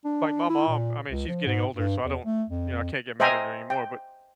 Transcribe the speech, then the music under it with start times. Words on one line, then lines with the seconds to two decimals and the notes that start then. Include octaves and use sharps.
Like my mom, I mean, she's getting older, so I don't, you know, I can't get mad at her anymore, but
0.05 D4
0.50 E4
0.68 A#2
1.10 C#2
1.28 F3
1.46 G#2
1.75 G2
2.04 E2
2.25 A3
2.49 F2
3.20 C5 D#5 E5 G5 G#5 A#5
3.70 G5